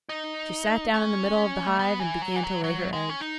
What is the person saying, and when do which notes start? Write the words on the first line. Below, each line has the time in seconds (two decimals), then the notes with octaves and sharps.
She sat down in the middle of the hive and began to lay her eggs.
0.09 D#4
0.94 C#4
1.67 A3
1.79 B3
2.00 E3
2.22 F#3
2.36 E3
2.43 F#3
2.64 F#3
2.93 G#3
3.09 C#4
3.21 D#4